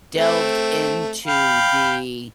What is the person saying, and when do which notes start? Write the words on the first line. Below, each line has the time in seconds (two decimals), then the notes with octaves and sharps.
delved into the
0.15 A3 C4
1.26 F5 G5 B5